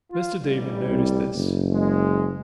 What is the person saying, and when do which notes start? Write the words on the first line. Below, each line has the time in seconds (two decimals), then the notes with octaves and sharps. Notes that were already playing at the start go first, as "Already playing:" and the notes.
Mr. Damon noticed this.
0.12 F4
0.41 A1 G3
0.87 C2
1.34 F#1
1.72 G#3